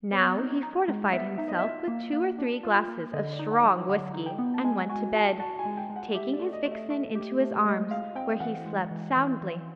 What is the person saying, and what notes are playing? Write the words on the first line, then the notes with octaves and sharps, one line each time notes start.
Now he fortified himself with two or three glasses of strong whisky and went to bed, taking his vixen into his arms, where he slept soundly.
B3 C#5
D#4
D#4
G#3
B3 E5
D#4 E5
D#5
F4 E5
A#3
A#3
D4
F4
A#3
D3 D#5
D5
D#4
F#5
F#3
F#5
D3 F#5
D#4
G5
B3
A5
G#3 G#5
F#4 G#5
F#4 A5
F#4 A5
G#5
G#3
G5
G#3
F#5
G4 E5
D5
A3
D#5
A3
E5
A3 E5
G4
A3
G#3 D#5
G#3 F5
C4 G5
E3 F#5
G#3
E3
E3
E3